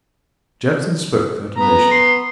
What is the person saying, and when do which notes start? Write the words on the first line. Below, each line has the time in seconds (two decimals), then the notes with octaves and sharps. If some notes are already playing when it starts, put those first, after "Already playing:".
Jackson spoke without emotion.
1.57 B3 A#5
1.91 C6